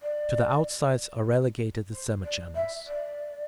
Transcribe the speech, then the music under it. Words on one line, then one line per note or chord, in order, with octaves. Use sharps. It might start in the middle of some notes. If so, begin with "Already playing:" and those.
To the outsides are relegated the semichannels.
D5
C5
D5
E5
D5